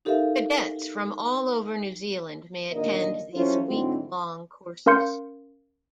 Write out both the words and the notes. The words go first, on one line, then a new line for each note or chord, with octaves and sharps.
Cadets from all over New Zealand may attend these week long courses.
D#4 G4 A4 A#4 E5 F5
D#2 A#2 D3 A#3 D#5
F#3 C#4 E4 F4 A4 C5
G#2 D3 F#3 C4 E4 F#4
C#4 A#4 F5 C6 G6 C#7